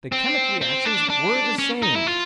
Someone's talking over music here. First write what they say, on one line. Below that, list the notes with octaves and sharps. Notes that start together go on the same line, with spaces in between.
The chemic reactions were the same.
C4
C4
D4
D4
C#4
D#4
E4
F4